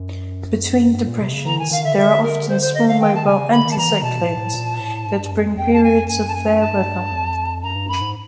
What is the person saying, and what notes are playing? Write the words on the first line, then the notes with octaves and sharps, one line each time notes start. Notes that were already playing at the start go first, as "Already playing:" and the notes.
Between depressions there are often small mobile anticyclones that bring periods of fair weather.
Already playing: F#2
G2
A#2
C3
C#3
D3 A#5
D#3 G#5
D#3 F5
D3 E5
D3 E5
A#4
C5
C5
D#5
F5
D#3 G5
A5
C#3 G#5
D3 B5
D#3
A5
E3 A#5
D#3
B2 A5
A2
A2
A#2
A2
G#2
G2
F#2
F2
F2 G5
A5
G#5
F#2 G#5
A5
G#5
G2 A5
F2
F#2 A#5
G2
F#2 B5
G#2